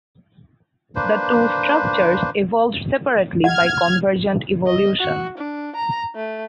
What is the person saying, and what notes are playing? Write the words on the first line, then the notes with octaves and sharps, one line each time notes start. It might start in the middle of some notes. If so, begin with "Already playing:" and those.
The two structures evolved separately by convergent evolution.
A#3 D4 B4 C5
F#5 F6 G#6
D#5
F#4
D4
A#5
A3